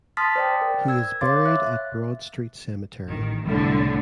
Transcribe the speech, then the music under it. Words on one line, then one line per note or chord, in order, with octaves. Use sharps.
He is buried at Broad Street Cemetery.
A5 C6 D#6 F6 A6 B6
C5 D5 G5
A#4
E6 G#6
C#5 F5 C6 D6 A6
E5 F#6
A1 D#3
C2 A2 D3